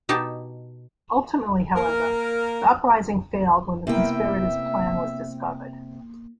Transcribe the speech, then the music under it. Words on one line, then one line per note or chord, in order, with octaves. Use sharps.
Ultimately, however, the uprising failed when the conspirators' plan was discovered.
B2 D#4 G4 A5
A#3 A#4
C3 A#3 B3 E4 A#4 E5 G5